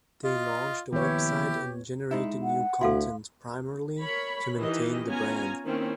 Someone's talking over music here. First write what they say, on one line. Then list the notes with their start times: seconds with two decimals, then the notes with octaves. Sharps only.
They launched a website and generated new content, primarily to maintain the brand.
0.24 F4 D#5
0.93 D#3 F3 A#3 B3 E4 G4 C#5
2.11 G#3 D#4 E4
2.43 F#5
2.81 D2 E4 F#4 A4 F5 C6
4.01 A#4 C#5 B5
4.57 D#3 E3 G4 D#5
5.06 B3 C#4 F4 G#5 A#5
5.65 D#3 A#3 C4 C#4 E4